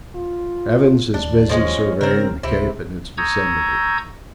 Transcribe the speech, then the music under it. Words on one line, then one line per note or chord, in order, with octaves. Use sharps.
Evans is busy surveying the Cape and its vicinity.
F4
D#2 D4
F3 G#3 C#4 C#5
C#3 C4 A#4
C#2 C3 E4
A#5 C#6 D#6 E6 G6 G#6